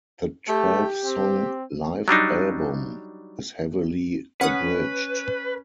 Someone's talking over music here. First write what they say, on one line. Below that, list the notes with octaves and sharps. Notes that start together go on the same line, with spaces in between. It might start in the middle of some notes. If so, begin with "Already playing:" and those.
The twelve song live album is heavily abridged.
A3 G4
C4
F#3 G3 D4 D#4
C#4 B4 F#5 D#6